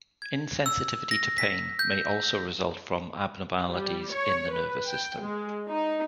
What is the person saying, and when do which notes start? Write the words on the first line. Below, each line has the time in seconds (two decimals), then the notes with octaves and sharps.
Insensitivity to pain may also result from abnormalities in the nervous system.
0.22 G#6
0.66 E6
1.11 A#6
1.38 B6
1.79 G6
3.70 G3
4.13 C#5
4.52 B4
4.87 G5
5.20 G#3
5.68 D#4